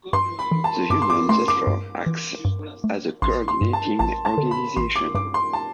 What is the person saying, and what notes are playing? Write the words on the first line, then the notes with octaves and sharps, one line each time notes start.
The union therefore acts as a coordinating organization.
G2 C6
B5
E3
A5
G2 D6
C6
D6
A3 C6
D6
G2
E3
G2
A3
A1 C6
C6
G2
A5
A1 A5
A5
D3
B5
A1 C6
D6
G2 D6
C6
A5